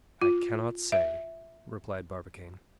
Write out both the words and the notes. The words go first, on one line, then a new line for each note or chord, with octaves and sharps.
"I cannot say," replied Barbicane.
F4
E5